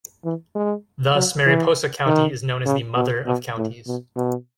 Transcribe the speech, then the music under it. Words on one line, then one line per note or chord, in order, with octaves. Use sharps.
Thus, Mariposa County is known as the "Mother of Counties".
E3
G#3
F#3
E3
D#3
C#3
B2
B2
A2
B2
B2